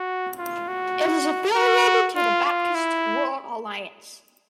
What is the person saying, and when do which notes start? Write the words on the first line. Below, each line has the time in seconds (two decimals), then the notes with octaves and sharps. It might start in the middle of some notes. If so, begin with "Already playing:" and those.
It is affiliated to the Baptist World Alliance.
Already playing: F#4
0.39 F4
0.68 F#4
1.57 F#4
2.16 F4
2.45 F4
2.75 E4